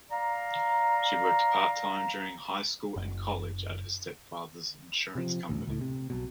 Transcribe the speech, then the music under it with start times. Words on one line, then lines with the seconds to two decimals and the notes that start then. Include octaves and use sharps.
She worked part-time during high school and college at her stepfather's insurance company.
0.11 D5 F5 A#5
2.96 F#1
5.15 C3 F3
5.49 D#1 A1 D2
5.67 C#2 A2
5.81 C3
6.10 B1 B2